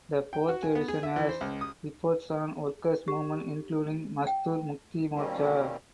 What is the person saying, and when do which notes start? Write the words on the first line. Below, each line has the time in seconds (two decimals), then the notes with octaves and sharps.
The fourth edition has reports on workers movement including Mazdoor Mukti Morcha.
0.33 G5
0.49 F#4
0.63 G#5
0.75 B3
0.88 G#4
1.03 E5
1.16 E3
1.29 C5
1.41 C#2
1.61 D#6
3.08 G4
4.27 G5
5.15 B2 D#3 G3 A#3 C4 C#4